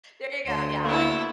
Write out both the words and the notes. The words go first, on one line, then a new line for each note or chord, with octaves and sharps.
There you go, yeah.
D2 C6
A#3 B3 E4 A4 C#6